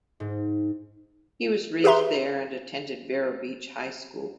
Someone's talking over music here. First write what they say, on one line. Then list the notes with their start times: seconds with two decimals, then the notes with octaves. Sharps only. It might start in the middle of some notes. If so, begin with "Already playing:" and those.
He was raised there and attended Vero Beach High School.
0.20 G#2
1.84 G4 G#4 B4 E5 A#5 C6